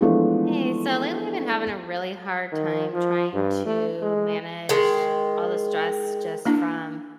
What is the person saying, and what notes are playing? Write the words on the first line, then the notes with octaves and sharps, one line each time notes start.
Hey, so lately, I've been having a really hard time trying to manage all the stress just from
E3 F3 G#3 A3 B3 D4
D#3
F3
G2
A3
G#3
D#3 G#3
A#3 D4 E4